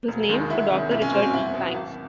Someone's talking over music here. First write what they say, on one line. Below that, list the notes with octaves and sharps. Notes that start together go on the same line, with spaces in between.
It was named for Doctor Richard E. Banks.
E1
D#2 D#3 G#3
D2 E4
C3 D#3 G#3
B1 E4
C#4
A#2 F#3 C4
C#4
E2 E4
B2 F#3
G#1